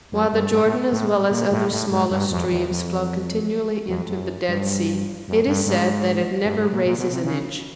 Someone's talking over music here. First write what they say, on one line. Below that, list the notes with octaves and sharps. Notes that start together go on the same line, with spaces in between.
While the Jordan as well as other smaller streams flow continually into the Dead Sea, it is said that it never raises an inch.
F#2
G2
G#2
A2
A2
A#2
A2
A2
G#2
G2
F2
E2
F2
F2
F#2
G2
F#2
G2
G#2
G2
G#2
A#2
A#2
B2
C3
C#3